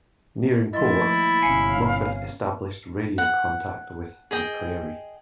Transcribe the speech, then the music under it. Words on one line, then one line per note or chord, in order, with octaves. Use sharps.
Nearing port, Moffett established radio contact with the "Prairie".
D#2 F3 A3 E4 D#5 C6 A6
G1 C3 C#4 F5 G#5 C7 C#7
F#5
G#4 D#5 G5